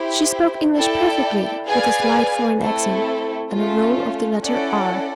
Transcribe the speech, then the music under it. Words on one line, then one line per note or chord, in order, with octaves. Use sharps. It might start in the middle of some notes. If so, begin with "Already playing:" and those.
She spoke English perfectly, with a slight foreign accent and a roll of the letter "r."
Already playing: E4 G4 C5
E4 A4 D5 G5
G#4 B4 D5 F5 G#5
A3 C4 E4 A4
A3 C#4 F4
C#4 E4 A4 D5 F#5